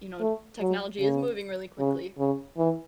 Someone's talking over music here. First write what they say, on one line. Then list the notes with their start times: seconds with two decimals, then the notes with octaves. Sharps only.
you know, technology is moving really quickly.
0.20 A3
0.60 F#3
0.99 C#3
1.79 C#3
2.18 C#3
2.57 E3